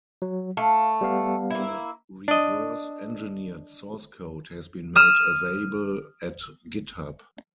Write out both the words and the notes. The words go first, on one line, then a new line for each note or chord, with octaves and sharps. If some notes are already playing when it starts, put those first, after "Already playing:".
The reverse-engineered source code has been made available at Github.
F#3
A3 F5
G3 B3 F5
A#3 E4
D4 D#5
D#6 F6 E7